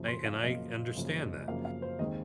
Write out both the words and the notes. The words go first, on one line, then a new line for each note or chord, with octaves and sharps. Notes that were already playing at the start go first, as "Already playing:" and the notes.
I and I understand that.
Already playing: F#2 C#3 F3 A#3
C6
F5
F#2 C#3 F3 A#3 D#5
F#2 C#3 F3 A#3
F#2 C#3 F3 A#3 F5
F5
C5
D#2 D#3 G#3 C4 D#5